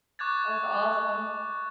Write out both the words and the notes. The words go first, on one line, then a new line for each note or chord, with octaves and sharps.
That's awesome.
C#6 D6 F#6 G#6 A6